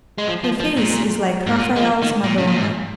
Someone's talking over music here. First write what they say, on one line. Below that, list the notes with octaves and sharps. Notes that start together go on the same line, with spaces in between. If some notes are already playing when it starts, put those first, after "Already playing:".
Her face is like Raphael's Madonna.
G#3
F3
F3
F3
A#2
G#2
A#2
G#3
F3
D#3
A#2
C#3
A#2
G#2